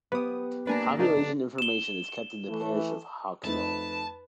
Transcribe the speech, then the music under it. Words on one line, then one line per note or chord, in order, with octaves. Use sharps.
Population information is kept in the parish of Hauxwell.
B3 G4 B4 D#6
A#3 D4 B4 G#5 A#5
C#3 A#3 D4 D#4
E7 G7
E3 A3
F2 A3 D#4 B4 A5